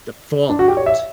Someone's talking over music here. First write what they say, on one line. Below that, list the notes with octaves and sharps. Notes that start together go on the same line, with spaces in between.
the fallout.
D4
F#4
G4
C#5
E5